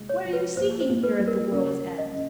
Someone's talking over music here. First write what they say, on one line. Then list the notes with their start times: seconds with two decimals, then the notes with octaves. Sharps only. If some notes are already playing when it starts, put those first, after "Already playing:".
What are you seeking here at the world's end?'
Already playing: C3 G#3
0.09 C#5
0.25 F3
0.33 B4
0.57 A#2 C5
0.81 C5
0.89 A#2
1.04 B4
1.19 G3
1.27 A#4
1.52 C#3 A#4
1.83 C#3
1.98 D#5
2.13 C#3